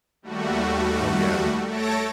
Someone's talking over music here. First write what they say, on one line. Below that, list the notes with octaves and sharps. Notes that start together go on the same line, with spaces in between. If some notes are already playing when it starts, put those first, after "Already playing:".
Oh, yeah.
D#2 G3 A3 F#4
A3 A4 C#5 A5 A#6 D7